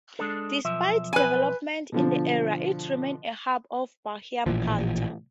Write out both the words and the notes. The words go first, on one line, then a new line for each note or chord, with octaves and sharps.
Despite development in the area, it remains a hub of Bahian culture.
G#3 D4 A4
B1 F3 E5
B4 G#5
B2 D3 F3
A1 A#2 E3 F3